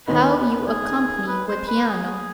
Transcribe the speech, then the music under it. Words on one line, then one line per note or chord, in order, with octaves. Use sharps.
"How you accompany with piano?"
D#2 D#3 B3 D#4 B4
B4
G#4
B4
C5
B4
G#4